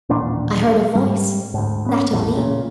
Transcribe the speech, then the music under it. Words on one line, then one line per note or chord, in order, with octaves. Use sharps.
I heard a voice, that of Leo.
D#1 A1 A#2 D4
G#2 G3
D2 G#2
B3 C#4
A#1 E2 A2
A#2 C#3